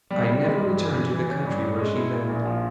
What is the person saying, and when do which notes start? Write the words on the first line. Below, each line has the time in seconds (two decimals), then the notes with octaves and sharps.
"I never returned to the country where she lived."
0.11 G3
0.28 G3
0.44 G#3
0.61 G2
0.78 E3
0.95 E3
1.11 E3
1.29 C#4
1.45 G2
1.61 C#4
1.79 G#3
1.96 E4
2.13 A#2
2.29 A#1
2.46 F3